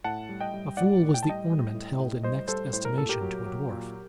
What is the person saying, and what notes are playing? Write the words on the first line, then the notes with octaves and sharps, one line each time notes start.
A fool was the ornament held in next estimation to a dwarf.
A2 F#5 A5
G3
D#5 G5
G3
A2 D5 F#5
A2
G5
A5
G3 D#5 G5
G3
A2
A2
G3 C5 D#5
G3 A4 C5
A2 C5
A#4
A#2 A4
G4 A#4
F#3
F#3
A#2